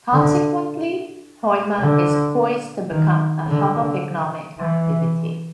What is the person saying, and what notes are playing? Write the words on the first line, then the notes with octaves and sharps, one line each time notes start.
Consequently, Hoima is poised to become a hub of economic activity.
D3
D3
D#3
D3
E3